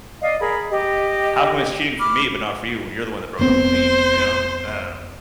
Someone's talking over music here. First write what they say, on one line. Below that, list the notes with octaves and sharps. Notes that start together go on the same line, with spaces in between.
How come it's cheating for me, but not for you when you're the one that broke up with me, you know? I don't know.
D5 D#5 F5
G#4 A#4 B5
G4 D#5
B5 D6 F6
F1 B3 C4 C5